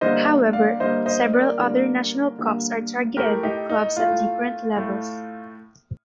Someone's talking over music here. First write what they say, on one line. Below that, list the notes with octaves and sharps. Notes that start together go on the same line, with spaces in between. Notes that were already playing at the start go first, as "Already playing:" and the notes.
However, several other national cups are targeted at clubs at different levels.
D3 G3 A#3 C5 D#5
D5 F5
D3 G3 A#3 C5 D#5
C5 D#5
A#4 D5
D3 G3 A#3
D3 G3 A#3
A2 A3 G4 A#4
D#4 G4
D#4
A2 A3 F4
A2 A3